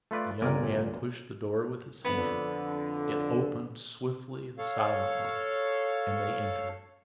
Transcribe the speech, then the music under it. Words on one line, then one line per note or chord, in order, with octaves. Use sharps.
The young man pushed the door with his hand. It opened swiftly and silently, and they entered.
A3 F4 B4 D5
G1 C#2 A#2 A#4 D5 G#5
F2 D3 B3
A4 C#5 F5